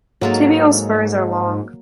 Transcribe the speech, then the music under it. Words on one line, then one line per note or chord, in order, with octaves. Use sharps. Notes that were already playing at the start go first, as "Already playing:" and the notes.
Tibial spurs are long.
G#2 F#3 A#3 A4